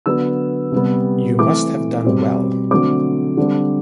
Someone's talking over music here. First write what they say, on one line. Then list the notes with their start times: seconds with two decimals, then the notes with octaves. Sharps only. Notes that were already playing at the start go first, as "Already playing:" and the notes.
You must have done well.
0.06 D3 F#3 B3 E6
0.72 C3 G3 B3
1.39 E3 A3 C4 D6
2.04 B2 G3 C4
2.71 D3 F#3 A3 C4 D6
3.37 D3 G3 C4